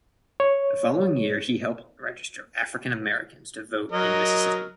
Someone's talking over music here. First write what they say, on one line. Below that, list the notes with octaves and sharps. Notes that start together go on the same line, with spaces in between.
The following year he helped register African Americans to vote in Mississippi.
C#5
F#3 A#4 D#5